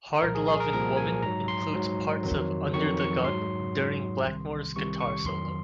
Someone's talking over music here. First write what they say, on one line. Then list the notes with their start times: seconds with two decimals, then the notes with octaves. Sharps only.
"Hard Lovin' Woman" includes parts of "Under the Gun" during Blackmore's guitar solo.
0.22 C2 A#2 F3 A#4
0.35 G#4
0.48 G#4
0.60 A#4
0.72 C2 A#2 F3 A#4
0.97 G#5
1.22 G#2 F#3 A#5
1.48 C6
1.73 G#2 F#3
2.23 F2 D#3 F#3
2.73 F2 D#3 F#3 C#6
3.00 C#6
3.24 G#2 F#3 C6
3.75 G#2 F#3
4.25 C2 C3 D#3
4.75 C2 C3 D#3 C#6
5.00 C#6
5.26 F2 D#3 F#3 C6